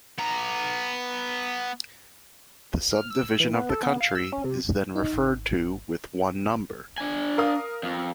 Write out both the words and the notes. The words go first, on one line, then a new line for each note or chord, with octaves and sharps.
The subdivision of the country is then referred to with one number.
B3 A#5
F6
E6
E6
E3
B3
A4
B3
F5
E6
C#4
C3
D#4
G#1
D4 G#5
A#4 F5 D#6
F2